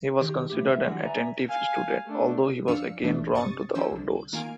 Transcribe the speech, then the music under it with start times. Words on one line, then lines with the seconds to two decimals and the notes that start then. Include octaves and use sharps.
He was considered an attentive student, although he was again drawn to the outdoors.
0.21 D#3 G4
0.50 A2 G4
0.68 D2 B3 E5
0.85 E2 D3 E3 F#3 G3 F#4
1.01 B4 D5 E5 F#5 G#5 A#5
1.48 F5 G#5
2.06 A3 D4
2.68 F#2 F3 D4 F5 E6 C#7
3.02 A1 E3 A3 D4
3.32 A#1 G2 C3 C#6 D#6 A6
3.75 D3 F3 C#4 C5 E6
3.91 C2 D3
4.33 D#3 A#3 F4 F5 G#5 D7